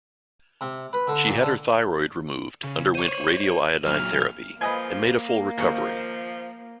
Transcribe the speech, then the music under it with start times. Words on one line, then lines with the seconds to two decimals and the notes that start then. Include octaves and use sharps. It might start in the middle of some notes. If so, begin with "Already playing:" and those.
She had her thyroid removed, underwent radioiodine therapy, and made a full recovery.
0.61 C3
0.93 B4
1.07 D3
1.27 A#2
1.41 D3
2.64 C#3
2.95 C5 C#5 D#7
3.14 F#7
3.87 A#2 F#3 F6 F7
4.61 F3 A#3 B4 D#5 G#5
5.58 D#2 F3 C#6